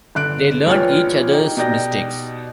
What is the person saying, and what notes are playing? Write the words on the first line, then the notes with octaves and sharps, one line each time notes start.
They learn each other's mistakes.
G1 D3 F#6 D7
A#1 F3 B4 C#5 G5 F6
D#4 G4
B2 D#4 G4 D5 G6 A#6